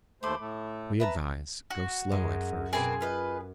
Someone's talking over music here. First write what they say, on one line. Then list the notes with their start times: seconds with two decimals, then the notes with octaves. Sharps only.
We advise: Go slow at first.
0.23 D#2 A3 C5 B5 C6 D6
0.40 A2 A3
1.00 B4 E5 A5 A#5
1.70 F#4
2.12 F#2 G#3
2.73 B2 A#3 C4 G#4
3.01 F4 B4 D#5